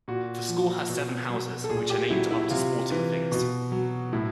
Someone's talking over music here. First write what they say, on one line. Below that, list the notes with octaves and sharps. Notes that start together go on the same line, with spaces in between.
The school has seven houses, which are named after sporting figures.
A#2 F#4
F3
B2
F#3
A4
A#2 G#4
G4
F#3 E4
E4
C3 F4
E3
B2
F#3
A2 E4